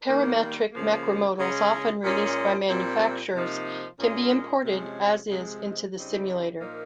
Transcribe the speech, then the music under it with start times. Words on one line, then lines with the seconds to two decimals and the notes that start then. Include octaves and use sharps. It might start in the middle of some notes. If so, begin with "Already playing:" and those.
Parametric macromodels, often released by manufacturers, can be imported as-is into the simulator.
0.08 D#3 G3 A#3
0.73 C#3 F3 A#3
1.39 C#3 G#3 C#4
2.03 A#2 G#3 C#4
2.68 A#2 G3 C4
3.33 C3 F3 A#3 D#4
3.99 A#2 G#3 C#4
4.64 C3 F3 G#3 C#4
5.29 C3 F3 G#3
5.96 C#3 G3 C4 D#4
6.60 A#2 F3 A#3 D#4